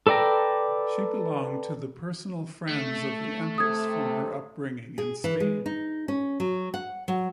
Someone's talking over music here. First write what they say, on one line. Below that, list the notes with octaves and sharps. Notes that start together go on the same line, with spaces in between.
She belonged to the personal friends of the empress from her upbringing in Spain.
A4 B4 D5 G5 A#5
A3
C3 A4 D#6 G#6
G#4
E3
G#3
D#4
C#4
F#3
F#5
F#3